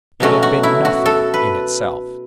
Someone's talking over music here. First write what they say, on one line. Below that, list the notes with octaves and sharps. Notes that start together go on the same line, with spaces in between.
It had been nothing in itself.
B2 F#3 A3 C#4 F#4
F#4
E4
F#4
A4
B4